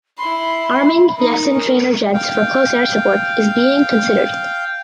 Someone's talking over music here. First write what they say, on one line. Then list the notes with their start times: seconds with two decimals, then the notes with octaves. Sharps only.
Arming Yasin trainer jets for Close Air Support is being considered.
0.18 E4 B5 C6
1.16 D#4 A#4
1.50 C#4 A#4
2.14 F5 G5